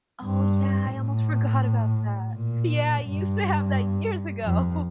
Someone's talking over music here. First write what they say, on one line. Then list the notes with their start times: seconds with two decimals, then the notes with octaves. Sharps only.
Oh, yeah, I almost forgot about that. Yeah, I used to have that years ago.
0.24 G2
0.93 A2
2.33 A#2
3.04 G2
4.42 F2